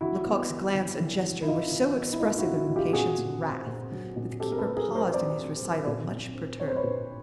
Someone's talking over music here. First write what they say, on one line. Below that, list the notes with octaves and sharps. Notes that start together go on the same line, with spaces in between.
Lecoq's glance and gesture were so expressive of impatience and wrath that the keeper paused in his recital much perturbed.
E3 E4 F#4
B3
E3
E3
E3
E3
E4
E3 D#4 F4
E3
B3
E4
G#3 D#4 F4
E4 F#4
E3
E4 F#4
E3
F4 G4
A#2 F#4 G#4
A#2
C4
A#2
F#3
A#2
C4 G4 A4
A#4
A4 B4
A3
G#4 A#4
F#3
A#4 C5
C4 C5 D5
C4
F#3
A#2
A#2
C4
C4 C#5
C5
B4 C#5
A#2